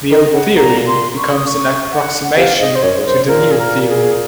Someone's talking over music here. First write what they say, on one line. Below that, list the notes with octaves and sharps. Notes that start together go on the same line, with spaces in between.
The old theory becomes an approximation to the new theory.
D#3 D#5
C#3 F#5
A#2 A#5
C6
C#6
D#6
C#6
F#5
C3 F5
G#2 D#5
C5
F#2 C#5
G#2
F#2 C5
A#2 A#4
G#4
A#4
G#4